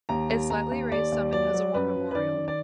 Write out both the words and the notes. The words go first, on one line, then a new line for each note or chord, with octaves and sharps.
Its lightly raised summit has a war memorial.
D#2 A#5
D#2
D#2 A#5
D#2
D#2 D5
D#2
F#3 D5
F#3
F#2 B4
F#2
B4
D#3 D5
D#3
D5